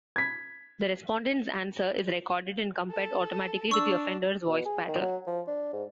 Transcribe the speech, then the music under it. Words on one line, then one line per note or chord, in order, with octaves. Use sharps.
The respondent's answer is recorded and compared automatically to the offender's voice pattern.
G#6 B6
A4
D4 C#6 E6
B2
G#4
D#3
F#3
F3
D4
G#2